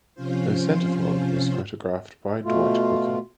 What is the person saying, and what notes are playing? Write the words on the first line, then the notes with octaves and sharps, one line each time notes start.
Her centerfold was photographed by Dwight Hooker.
C3 F3 C#4 F4 C5
B2 A3 F4